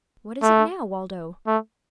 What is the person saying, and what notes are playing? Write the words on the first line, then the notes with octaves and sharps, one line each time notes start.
"What is it now, Waldo?"
A3
A3